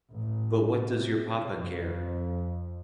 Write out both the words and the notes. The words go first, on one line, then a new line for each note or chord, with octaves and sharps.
But what does your papa care!
A1
C3
F2